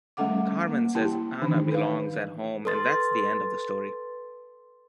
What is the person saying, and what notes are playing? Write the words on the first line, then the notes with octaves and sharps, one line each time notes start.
Carmen says Ana belongs at home and that's the end of the story.
G3 A3 C#4 A4 F#5 D6
A#3
E4 G4 G5 A5
D#3 E3 D4 D#4
B4 F5
A4 B4 C6 A6